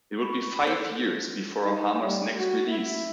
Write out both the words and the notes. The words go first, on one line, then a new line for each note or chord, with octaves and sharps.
It would be five years before Harmer's next release.
B5 C#6
A4 C5
D#4
G3
F#4
E4